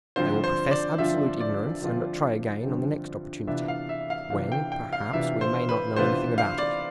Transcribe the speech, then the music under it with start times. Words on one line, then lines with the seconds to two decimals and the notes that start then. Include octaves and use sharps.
They will profess absolute ignorance, and try again on the next opportunity, when, perhaps, we may not know anything about it.
0.16 G2 D3 F3 C4 F4 C5
0.44 C5
0.71 D5
0.98 G2 D3 F3 C4 F4 E5
1.41 D5
1.82 G2 D3 F3 C4 F4
2.65 G2 D3 F3 C4 F4
3.47 C3 E3 B3 D4 F4 E5
3.68 F5
3.89 E5
4.10 F5
4.30 C3 E3 B3 D4 F4 F5
4.52 G5
4.72 G5
4.93 F5
5.13 C3 E3 B3 D4 F4 E5
5.41 C5
5.69 B4
5.96 C3 E3 B3 D4 F4 C5
6.38 F5
6.58 D5